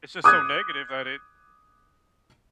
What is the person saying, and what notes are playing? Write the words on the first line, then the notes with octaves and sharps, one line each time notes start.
it's just so negative that it
D6 D#6 F#6 G#6